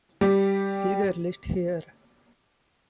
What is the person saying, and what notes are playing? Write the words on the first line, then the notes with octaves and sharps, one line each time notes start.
See their list here.
G3 G4